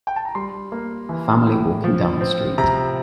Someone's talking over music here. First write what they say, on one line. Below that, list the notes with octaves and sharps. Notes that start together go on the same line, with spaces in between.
A family walking down the street.
G5
A5
A#5
G3 C6
A#3
E3
A2
F3
C4
C3 A#5